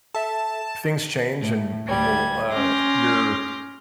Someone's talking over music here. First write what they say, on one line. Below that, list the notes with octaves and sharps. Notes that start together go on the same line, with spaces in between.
things change and people uh, your
A4 E5 A5
A2
D2 G3 G#6
C#4 C6 D6 F6 G6 A#6